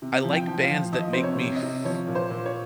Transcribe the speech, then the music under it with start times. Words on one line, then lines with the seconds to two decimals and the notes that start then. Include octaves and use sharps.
I like bands that make me f
0.02 C3
0.24 F3
0.33 G5
0.48 F3
0.62 F5
0.70 F3
0.92 F3 D#5
1.13 C3 C5
1.23 C#5
1.39 C3
1.55 D#5
1.62 C3
1.84 F3 C#5
2.07 A#2
2.15 C5
2.30 A#2
2.46 C#5